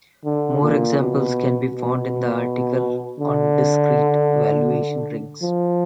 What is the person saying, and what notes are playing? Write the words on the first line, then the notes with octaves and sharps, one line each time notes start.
More examples can be found in the article on discrete valuation rings.
D3
A#2
B2
B2
D3
F3